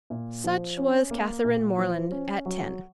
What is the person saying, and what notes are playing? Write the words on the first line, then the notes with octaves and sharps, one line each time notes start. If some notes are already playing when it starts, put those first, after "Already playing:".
Such was Catherine Morland at ten.
A#2
F3
C#4
A#3
A#2
F3
C#4
F#3